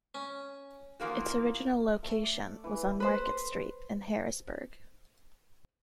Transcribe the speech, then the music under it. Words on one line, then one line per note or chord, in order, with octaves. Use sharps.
Its original location was on Market Street in Harrisburg.
C#4
E3 F3 A#3 F#4
A3
D5
E3
B4 C5